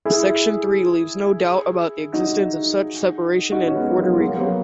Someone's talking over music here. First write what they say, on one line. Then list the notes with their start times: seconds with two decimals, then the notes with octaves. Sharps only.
Section three leaves no doubt about the existence of such separation in Puerto Rico.
0.05 E4 G#4
2.13 D#4 F#4
3.52 D#4 F#4
3.67 C#4
3.75 G#3 B3
3.98 F#3 A#3
4.13 G#3
4.21 F#3 A#3
4.34 B3
4.39 F#3 A#3